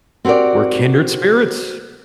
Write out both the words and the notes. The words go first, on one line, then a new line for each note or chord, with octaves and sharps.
We're kindred spirits.
C4 F#4 G4 A#4 D5